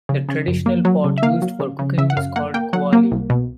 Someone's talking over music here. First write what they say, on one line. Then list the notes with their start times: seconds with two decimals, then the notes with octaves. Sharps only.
The traditional pot used for cooking is called "kuali".
0.09 C#3
0.29 C#3
0.48 F#2
0.66 A#3
0.85 F#3
1.04 C#3
1.18 E5
1.23 A#3 F5
1.42 F#3
1.60 C#3
1.79 C#3
1.98 C#3 E5
2.10 F#5
2.17 F#2 F5
2.36 A#3 F#5
2.54 A#3 G5
2.73 F#3 F#5
2.93 A#3
3.11 C2
3.30 B2